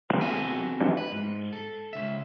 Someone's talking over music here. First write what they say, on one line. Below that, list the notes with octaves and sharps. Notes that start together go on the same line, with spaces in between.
Play some pop music.
B3 C4 F#4 A4 G5 G#5
B4
G#2
A4
C#2 E5